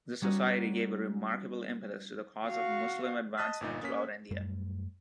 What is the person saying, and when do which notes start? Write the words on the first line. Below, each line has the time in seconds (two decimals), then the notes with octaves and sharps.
The Society gave a remarkable impetus to the cause of Muslim advancement throughout India.
0.22 G3 C#4 D#4 F#4
2.46 F#4 F5
3.38 D#5 A5 D#6 F#6 A6 B6
3.61 G1 A#2 D#4
3.83 A#3 C#4 B6
4.31 F#2 G3 A3